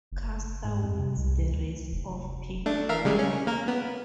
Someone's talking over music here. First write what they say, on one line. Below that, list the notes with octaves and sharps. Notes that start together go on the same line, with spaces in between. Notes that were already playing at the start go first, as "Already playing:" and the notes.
Custer wins the race off pit road.
F#1
G#2
F2
C3
C2
D2
F1
A3 D4
A#4 E5 F5
C#3 G3 G#3
C#4
A#3 A#4
B3